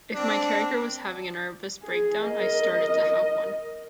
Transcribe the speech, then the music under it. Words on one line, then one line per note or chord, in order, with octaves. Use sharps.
If my character was having a nervous breakdown, I started to have one.
C4 D4
G#4
A#4 D#5